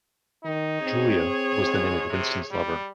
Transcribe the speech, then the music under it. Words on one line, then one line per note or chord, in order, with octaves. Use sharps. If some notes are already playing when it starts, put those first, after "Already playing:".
"Julia" was the name of Winston's lover.
D#3 D#4
C4 G#4 C#5
G#2
C3
G3